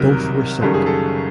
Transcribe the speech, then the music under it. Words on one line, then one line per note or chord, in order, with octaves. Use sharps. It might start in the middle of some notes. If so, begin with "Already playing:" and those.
Both were sunk.
Already playing: C2 C3 D#3 F#3 A#4
F#1 F#2 D#3 G3 A4
G#4
A4